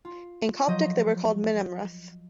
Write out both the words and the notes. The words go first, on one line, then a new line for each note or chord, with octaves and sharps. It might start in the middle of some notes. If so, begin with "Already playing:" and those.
In Coptic, they were called "Minamref".
F4
F3 F#3 D#5 G6